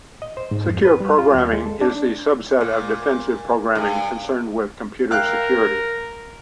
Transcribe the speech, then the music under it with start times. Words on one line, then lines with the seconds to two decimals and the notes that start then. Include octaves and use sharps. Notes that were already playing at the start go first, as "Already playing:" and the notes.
Secure programming is the subset of defensive programming concerned with computer security.
0.22 D#5
0.37 C5
0.51 G#2
0.67 F2
0.85 B4
1.00 G3
1.18 F4
1.34 D#2
1.53 G#3
1.65 A4
1.81 D4
2.61 A#2
3.75 G2
5.11 A#4 F5 G5 F#6